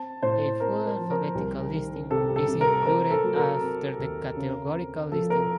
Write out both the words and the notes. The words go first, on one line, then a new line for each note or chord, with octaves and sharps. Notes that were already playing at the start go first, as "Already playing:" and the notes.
A full alphabetical listing is included after the categorical listing.
Already playing: C4 A5
A2 C5
C4 A#4
A#4
F3
A#4
C2
D#3
C3 A4
A4
C3
A#4
C4 A#4
A4
F#3
A#4
C4
D#2
C#3
C4
F3 A4
A#4